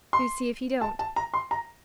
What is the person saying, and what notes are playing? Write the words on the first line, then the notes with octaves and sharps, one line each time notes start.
You see if he don't!
C6
A5
A5
A#5
C6
A#5